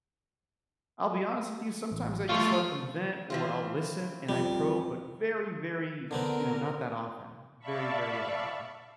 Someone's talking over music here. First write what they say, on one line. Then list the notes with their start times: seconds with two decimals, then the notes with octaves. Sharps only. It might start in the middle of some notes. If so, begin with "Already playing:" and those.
I'll be honest with you, sometimes I just let them vent or I'll listen and I probe, but very, very, you know, not that often. Very, very, uh,
1.91 A1
2.29 G3 A3 F4 F5 C6 C#6
3.30 E3 C4 F4
4.29 F2 G3
6.11 D3 B3 C4 A#4
7.59 D5 E5 F5 A5 B5 C#6